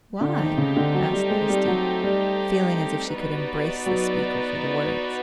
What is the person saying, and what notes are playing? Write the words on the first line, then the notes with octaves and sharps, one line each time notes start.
"Why?" asked Christie, feeling as if she could embrace the speaker for the words.
D3 A3 C4 D#4 G4
D#3
C#3
D3
F#3
G3
G#3
G3
F#3
G3
B3 D#4 F#4 B4 D5
F#3